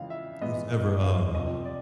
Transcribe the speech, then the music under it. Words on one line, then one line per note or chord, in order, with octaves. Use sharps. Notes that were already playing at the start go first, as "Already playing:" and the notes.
who's ever um,
Already playing: F2 C#3 E3 G#3 F5
E5
G#2 E3 G#3 B3 D#5
D#5
F5
F2 C3 F3 D#5
D5